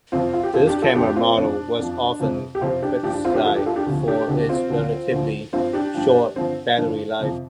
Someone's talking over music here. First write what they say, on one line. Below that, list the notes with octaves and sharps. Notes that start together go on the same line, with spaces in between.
This camera model was often criticized for its relatively short battery life.
F2 C3 F3 C4 F4
F4
G4
F2 F3 F4 A4
D4 G4
F4 A4
F2 F3 D4 G4
C4 F4
F2 F3 D4
F2 F3
F2 C3 F3
G4
F2 C3 F3 C4 F4
D4 G4
G2 F3 D4 G4
D4
C4 F4
D4 G4
G2 F3 F4 A4
D4 G4
F4 A4
D4 G4
D2 C3 F3
D4 G4
D2 C3 F3 D4 G4
C4 F4
D2 D3 F3
D2 D3 F3
G2 F3 C4 F4
D4 G4
G2 F3
G2 D3 F3 C4
G2 D3 F3
F2 C3 F3